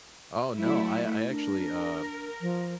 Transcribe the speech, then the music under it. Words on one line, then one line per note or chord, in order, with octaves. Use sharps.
Oh, no. I I actually, uh,
F#3 A3 E4
D4 A#4
F3